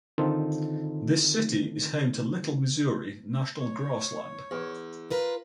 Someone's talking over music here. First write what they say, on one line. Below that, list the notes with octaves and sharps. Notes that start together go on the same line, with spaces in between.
This city is home to Little Missouri National Grassland.
D3 D#3 C4 D#4 F4 A4
C#5
E2
F4 A#4 B4